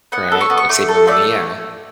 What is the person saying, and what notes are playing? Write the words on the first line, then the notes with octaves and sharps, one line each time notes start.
Right, would save more money, yeah.
B3 F#5
A4
C#6
B3
C#6
A3 D6
A4
A3 D5